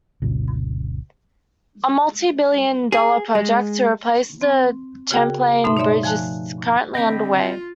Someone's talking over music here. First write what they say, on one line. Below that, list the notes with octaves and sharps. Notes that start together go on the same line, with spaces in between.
A multibillion-dollar project to replace the Champlain Bridge is currently underway.
F1 C2 A#2 C#3
G#4
G#3
C4
C#3 F#4 G#4 A#4 G5
G2 B2 A3 D#4 E5 C6
D#4 C#5 D5 E5 C6
F3 G#5 A5 F#6
D3 C4 D#5 G5 B5
F4